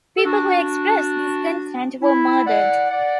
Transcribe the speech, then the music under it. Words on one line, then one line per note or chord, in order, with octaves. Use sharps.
People who expressed discontent were murdered.
A4
D4 F#4
E4
D5 F#5
D5 F#5